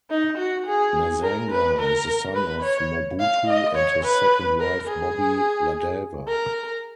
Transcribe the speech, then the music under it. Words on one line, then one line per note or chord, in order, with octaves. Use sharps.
Nazanga is the son of Mobutu and his second wife Bobby Ladawa.
D#4
F#4
G#4
A#4
B4
A#4
B4
C#5
F5
D#5
C#5
B4
A#4
G#4
A#4